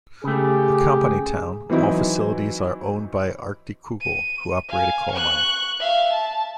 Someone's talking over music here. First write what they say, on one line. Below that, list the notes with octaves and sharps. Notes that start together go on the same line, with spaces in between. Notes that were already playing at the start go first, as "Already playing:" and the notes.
A company town, all facilities are owned by Arktikugol, who operate a coal mine.
C#3 A3 G4 G#4
E3 F#3 C4 D#4 E4
D#7
F5 G#5
C#6 F#6
E5 F5
A5